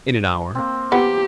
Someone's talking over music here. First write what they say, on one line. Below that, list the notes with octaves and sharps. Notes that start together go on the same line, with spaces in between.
"In an hour."
A#3 C4
B3 G4